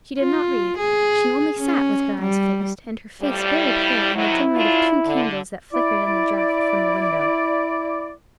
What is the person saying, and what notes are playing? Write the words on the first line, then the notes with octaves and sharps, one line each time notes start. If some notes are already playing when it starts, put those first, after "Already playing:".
She did not read; she only sat with her eyes fixed, and her face very pale, in the dim light of two candles that flickered in the draught from the window.
F4
G#4
C#4
G3
F2 A2 G3
E4
C3 D#3 F#3 E4
C#3 D4 F4
D3
E4 D5